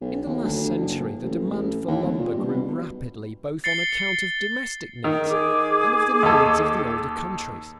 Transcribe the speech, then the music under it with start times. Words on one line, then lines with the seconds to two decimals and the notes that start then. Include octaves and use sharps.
In the last century the demand for lumber grew rapidly both on account of domestic needs and of the needs of the older countries.
0.01 B1
0.26 D#2
0.44 D2
0.81 F#1
1.23 A1
1.51 A1
1.88 D#2
2.03 D1
2.19 A#2
2.37 G2
2.48 B2
3.64 A6 C7 C#7 G7
5.04 D#3
5.29 G#4 D6
6.23 D#2 A4